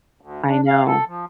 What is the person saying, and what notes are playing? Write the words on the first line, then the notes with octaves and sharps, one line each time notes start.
I know.
D2
D4
F5
A4
F3